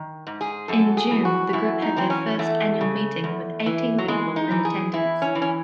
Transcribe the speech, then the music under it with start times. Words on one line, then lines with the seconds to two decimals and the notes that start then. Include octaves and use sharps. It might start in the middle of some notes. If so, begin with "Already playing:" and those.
In June the group had their first Annual Meeting with eighteen people in attendance.
Already playing: D#3
0.27 G#2
0.41 G#4
0.68 F#2 A4
0.97 G#4
1.11 E3
1.25 F#4
1.53 F#2 E4
1.82 D#4
1.97 E3 C4
2.10 C#4
2.39 E2 A3
2.81 C#3
3.24 E2
3.66 E3
3.98 F#3
4.08 E3 G#3
4.36 D#4
4.51 E3
4.65 G#4
4.93 E3 E4
5.22 C#4
5.35 E3
5.42 C#4